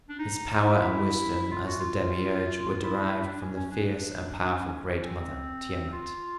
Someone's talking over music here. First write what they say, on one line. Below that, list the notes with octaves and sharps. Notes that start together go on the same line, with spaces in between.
His power and wisdom as the Demiurge were derived from the fierce and powerful Great Mother, Tiamat.
D4
D#4
E4
F4
F#4
F4
E4
D4
C#4
C#4
D4
C#4
C4
F4